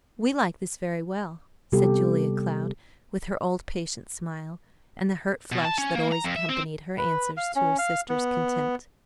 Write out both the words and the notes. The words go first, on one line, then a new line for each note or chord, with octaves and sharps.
"We like this very well," said Julia Cloud with her old patient smile and the hurt flush that always accompanied her answers to her sister's contempt.
C3 G3 B3 G4 A4
B2
A5
C#4
A#3
A#5
F2
E5
C4
B4
F5
C#4
F5
B3